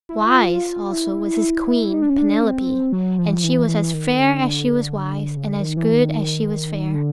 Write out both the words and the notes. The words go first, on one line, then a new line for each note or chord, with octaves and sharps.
Wise, also, was his Queen, Penelope, and she was as fair as she was wise, and as good as she was fair.
E4
F4
E4
D#4
D4
C#4
D4
C4
F#3
F3
E3
F3
E3
E3
D#3
D3
D3
C#3
D3
D#3
E3
D#3
D3